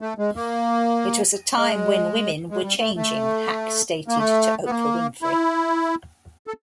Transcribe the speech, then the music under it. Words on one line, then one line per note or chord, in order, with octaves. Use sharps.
"It was a time when women were changing" Hack stated to Oprah Winfrey.
A3
G#3
A#3
G#3
G#3
G3
A3
A3
A#3
A3
B3
A#3
E4
A4